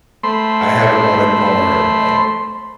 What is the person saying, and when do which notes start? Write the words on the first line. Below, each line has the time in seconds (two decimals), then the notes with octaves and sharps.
I haven't bought a car in, like
0.23 A3 C5 B5 C6